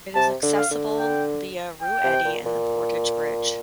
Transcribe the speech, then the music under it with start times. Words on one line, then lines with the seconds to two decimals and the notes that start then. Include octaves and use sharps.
It is accessible via Rue Eddy and the Portage Bridge.
0.14 C3 A5
0.43 D3
0.57 F5
0.71 D3
0.99 G5
1.83 G5
2.04 C3
2.25 A#2
2.46 A#2